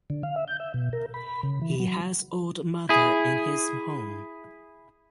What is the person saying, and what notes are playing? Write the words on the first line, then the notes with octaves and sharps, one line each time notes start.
He has old mother in his home.
D3
F5
E5
G6
E5
B2
A#4
B5
C#3
E3
F#3
E4 G#4